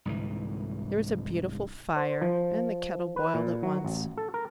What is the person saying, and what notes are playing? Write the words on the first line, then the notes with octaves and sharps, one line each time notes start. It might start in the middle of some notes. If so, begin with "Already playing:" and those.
There was a beautiful fire, and the kettle boiled at once.
C2 G#2 D3 E3
C5
F3
B4
A#2
F#3
A1
A4
A#4